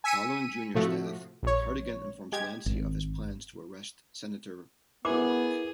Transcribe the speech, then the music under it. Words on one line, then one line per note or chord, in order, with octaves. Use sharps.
Following Junior's death, Hartigan informs Nancy of his plans to arrest Senator Roark.
G#5 E6 B6 C#7 D#7
A2 C3 F3 A3 F4 F#4
A#1 C#5
G#3 G4 G#6
G#1
B3 E4 G#4 A#4 B4 D6